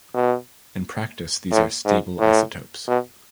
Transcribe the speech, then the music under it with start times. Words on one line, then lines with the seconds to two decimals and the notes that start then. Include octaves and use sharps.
In practice, these are stable isotopes.
0.14 B2
1.51 A2
1.85 G#2
2.19 A2
2.87 B2